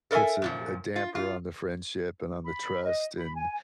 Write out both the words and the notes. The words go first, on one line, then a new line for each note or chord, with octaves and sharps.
puts a a damper on the friendship and on the trust, and
A4 A#4 D#5 E5 G#5
F#2 A#2 F3
F4
F4
B5
D#5
B5
G#5